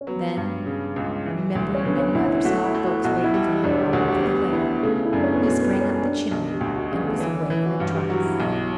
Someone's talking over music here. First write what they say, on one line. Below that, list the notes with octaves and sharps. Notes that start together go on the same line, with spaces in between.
Then, remembering many other small folks waiting for him all over the land, he sprang up the chimney and was away in a trice.
C#4
F#3 B3
G2
C#3
C#2
E3
D2
C#4
D3 B3
C#4
D2 E4
E4
A3 F#4
E4
A3
F#4
B1 F#4
E4
G3
E1 D4
G4
D2 F#4
G4
B3
B3 E4
C#3 A3
E4
F#2 D4
C#4
B3
B2 A3
B3
G3
C#4
G3 D4
B1
G4
D2 F#4
F#4
C#3 G3
B3
A3
E3 C#4
C#4
E3 E4
F#4
G2 F#4
G4
F#3 F#4
E4
B1